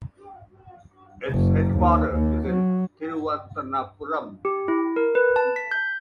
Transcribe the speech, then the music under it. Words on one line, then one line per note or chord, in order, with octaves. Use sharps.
Its headquarter is in Thiruvananthapuram.
F#1
D#2
D#2
F#3
G4
E4
A#4
B4
A5
B6
G6